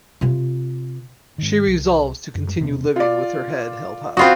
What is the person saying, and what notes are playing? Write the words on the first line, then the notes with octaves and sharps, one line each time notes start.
She resolves to continue living with her head held high.
C3 F4
G#2 D#3
C2
F#2
E1 C3 B3 C#4
F4 D5
C4 F4 F#4 B5 D#6